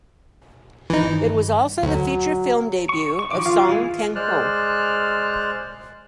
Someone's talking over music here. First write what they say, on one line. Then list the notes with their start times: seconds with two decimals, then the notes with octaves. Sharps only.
It was also the feature film debut of Song Kang-ho.
0.90 G2 D#3 E3 D#4
1.83 D2 F#3 F4
2.89 C#6
3.19 C#6
3.31 D#3 F3 D6
3.46 F4 F5
3.68 E3 G#3 G#4
4.15 G#3 C5 D5 F6 F#6